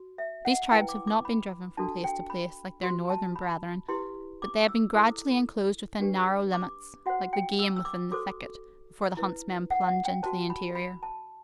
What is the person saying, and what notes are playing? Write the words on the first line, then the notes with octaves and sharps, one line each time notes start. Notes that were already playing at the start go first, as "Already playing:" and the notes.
These tribes have not been driven from place to place, like their Northern brethren; but they have been gradually enclosed within narrow limits, like the game within the thicket, before the huntsmen plunge into the interior.
Already playing: F#4
E5
F#5
E4 B4 G5
D6
D6
B5
D4 F#4 A4 A5
G5
B5
F#4 C5 C6
A5
B5
E4 G4 B4 C6
D6
E6
E4 A4 C5 D6
D4 G4 B4
D6
F#4 C5 F#5
G5
E6
E6
D6
F#4 A4 C5 D6
E4 B4
F#5
F#5
G5
F#4 C5 A5
B5
B5
A5